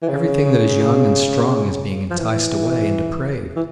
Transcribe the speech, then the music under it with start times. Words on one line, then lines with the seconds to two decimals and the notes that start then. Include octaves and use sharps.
Everything that is young and strong is being enticed away and depraved.
0.02 E3
0.08 C#3
2.10 F3
2.19 E3
3.56 E3